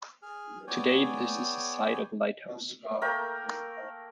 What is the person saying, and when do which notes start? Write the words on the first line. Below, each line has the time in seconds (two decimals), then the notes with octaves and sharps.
Today this is the site of a lighthouse.
0.22 G#4 F6
0.68 B3 G#4 C#5 D5 G5 G#5
3.02 A3 A#3 A#4 G5